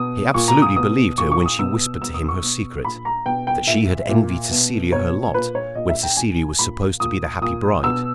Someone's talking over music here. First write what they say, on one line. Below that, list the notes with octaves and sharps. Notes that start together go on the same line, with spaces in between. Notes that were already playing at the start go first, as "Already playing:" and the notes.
He absolutely believed her when she whispered to him her secret,--that she had envied Cecilia her lot when Cecilia was supposed to be the happy bride.
Already playing: B2 D#6
A#2 C#6
A#5
D#6
B2 D#6
A#2 C#6
C#6
D#6
B2 E6
B2 E6
D#6
C#6
B2
A#2 B5
A#5
B2 G5
G5
A#2 E5
A#2
B2
B2 C#5
A#2 B4
C#5
A#2 D#5
E5
G5
A#2 G#5
A#2 B5
A#2 D#6
A#2 D#6
B2 E6